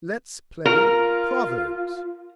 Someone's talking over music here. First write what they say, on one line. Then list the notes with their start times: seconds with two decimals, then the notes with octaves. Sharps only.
"Let's play proverbs."
0.65 F4 A#4